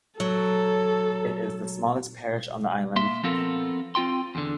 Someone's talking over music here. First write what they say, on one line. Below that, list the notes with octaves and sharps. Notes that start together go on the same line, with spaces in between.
It is the smallest parish on the island.
F#3 A4
A#3 E5 C6
F3 B3 C4 F4 A4 A#4
C4 F4 G5 C6
E2 D3